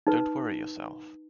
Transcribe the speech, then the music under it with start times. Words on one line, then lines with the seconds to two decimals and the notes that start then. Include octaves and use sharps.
Don’t worry yourself.
0.07 D#4 B4